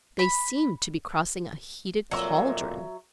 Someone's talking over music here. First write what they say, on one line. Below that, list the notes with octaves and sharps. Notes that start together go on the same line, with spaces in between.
They seemed to be crossing a heated cauldron.
B5
F2 A#2 F#3 E5